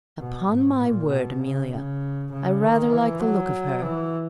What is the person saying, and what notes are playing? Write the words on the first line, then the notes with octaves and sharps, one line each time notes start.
'Upon my word, Amelia, I rather like the look of her.
B2
G#2
A#2
B2
C#3
C#3
C#3
D#3
E3
F#3
E3